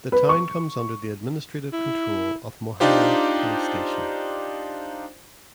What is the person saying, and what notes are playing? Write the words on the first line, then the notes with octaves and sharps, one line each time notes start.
The town comes under the administrative control of Mohana Police station.
B4
C#6
E4
D4 D#4 F4 G4 C5